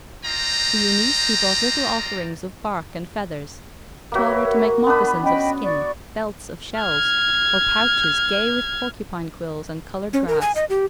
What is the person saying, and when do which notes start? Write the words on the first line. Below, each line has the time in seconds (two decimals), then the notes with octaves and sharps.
To Eunice he brought little offerings of bark and feathers; taught her to make moccasins of skin, belts of shells, or pouches gay with porcupine quills and colored grass.
0.24 F4 C5 D5 D#5 G5 A#5
4.12 A#3 F#4 B4 C#5 E5
4.45 A#4
4.86 B3 D4 B4 B5
5.23 C#4 D#5 G5 B5
5.62 D5 C#6
6.79 F6 G#6
10.13 C#4
10.27 A#4
10.41 G#5
10.55 D#5
10.70 G4